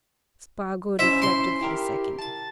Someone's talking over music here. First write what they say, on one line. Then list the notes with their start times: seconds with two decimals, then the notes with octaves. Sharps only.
Spargo reflected for a second.
0.99 C#4 E4 C5 E5
1.22 C6
1.61 E4 G4 A#4
2.19 A5 A6